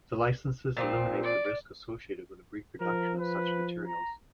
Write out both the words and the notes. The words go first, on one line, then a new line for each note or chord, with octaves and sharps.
The licenses eliminate the risk associated with the reproduction of such materials.
A#2 F3 C4
D5
F3 A#4
B4
A#5